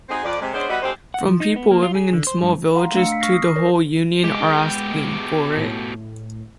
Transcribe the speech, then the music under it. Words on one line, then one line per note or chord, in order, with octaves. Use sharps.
From people living in small villages to the whole Union are asking for it.
C4 D#4 F#4 G#4
F2 D5
C3 G#3
G#3 B3 C#4 D4 C5
G3 B3 F#4 B4 D#5 E5
D2 G#3 C4 G4 C5
F#5
F3
D#4
B3
A#3
F4
G#4
D3
C5
G2
F5 F#5 A#5 C6
A3 D4 F5 E6 C#7
E6 B6
C#6 F6 A#6 C7
D#6 C7
A#4 C#5 A#6
B2 G#3 G4
A2